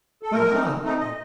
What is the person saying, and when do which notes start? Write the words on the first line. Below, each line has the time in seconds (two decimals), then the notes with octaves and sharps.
But, ha!
0.23 A4
0.33 A#2 A#4
0.50 A3 C4 D#4
0.66 A#2
0.83 A3 C4 D#4
1.00 A#2 D#5